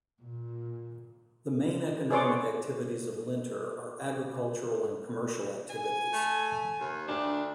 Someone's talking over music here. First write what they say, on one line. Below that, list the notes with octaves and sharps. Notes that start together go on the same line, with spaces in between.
The main economic activities of Linter are agricultural and commercial activities.
A#2
G#4 B4 C#5 D5 C6 D6
G#5
A3
D#2
D2 D4